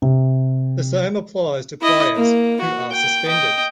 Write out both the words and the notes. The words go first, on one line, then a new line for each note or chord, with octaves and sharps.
The same applies to players who are suspended.
C3
E4 D#5
A#3
F#4
G5
D#5 G5